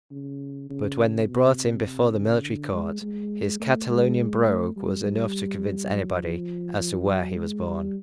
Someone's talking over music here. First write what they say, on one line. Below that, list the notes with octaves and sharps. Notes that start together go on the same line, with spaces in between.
But when they brought him before the military court, his Catalonian brogue was enough to convince anybody as to where he was born.
C#3
C#3
B2
C3
C3
C#3
D3
G#3
G#3
A3
G#3
A3
G3
G3
F#3
F3
F3
F#3
G#3
G3